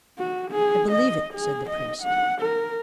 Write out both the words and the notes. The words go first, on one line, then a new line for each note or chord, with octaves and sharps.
"I believe it!" said the priest.
F#4
G#4
D#5
G#4
D#5
F#5
A#4